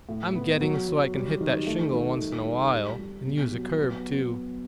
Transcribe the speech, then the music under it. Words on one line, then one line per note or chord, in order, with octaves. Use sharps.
I'm getting so I can hit that shingle once in a while, and use a curve, too.
A2
B3
F#3
F#3
G3
D#3
A3
D#3
G3
G3
G3
G3
B2
F#3
B3